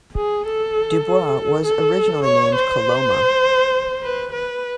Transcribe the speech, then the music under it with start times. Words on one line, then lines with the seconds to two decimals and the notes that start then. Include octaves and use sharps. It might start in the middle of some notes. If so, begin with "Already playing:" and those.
Du Bois was originally named Coloma.
0.16 G#4
0.46 A4
1.65 A4
2.24 C#5
2.55 C5
4.03 B4
4.32 B4